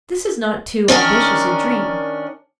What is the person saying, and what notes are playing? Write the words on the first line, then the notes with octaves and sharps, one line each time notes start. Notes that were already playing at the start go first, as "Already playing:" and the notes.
This is not too ambitious a dream.
D#3 C#4 D4 A#4